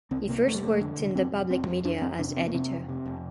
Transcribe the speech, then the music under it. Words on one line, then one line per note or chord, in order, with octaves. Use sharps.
He first worked in the public media as editor.
C2 C4
C3 A#3
F1 A3
G3
F1 A3
D3
F1
F1 C4
F1
F1 C4
F2
F2 D4
F2 C4
C3 D4
F1 C4
A#3
C3 C4
F1
C3
F1